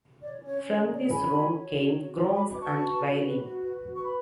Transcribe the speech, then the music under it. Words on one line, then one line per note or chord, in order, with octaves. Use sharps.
From this room came groans and wailing.
C#5 D5
C#4
C#5
C#4
G#4 C#5
C#5 D5
C#4 G#5 B5
F#4
C#5
F#4
C#5
F#4
C#5
F#4 B5 D6
B4 D6
A5 C#6
F#4
B4
F#4
B4
F#4
B4
F#4
B4 C#6
B5